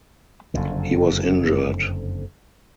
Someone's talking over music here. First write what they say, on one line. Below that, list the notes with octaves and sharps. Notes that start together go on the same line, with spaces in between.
He was injured.
F#1 F2 D3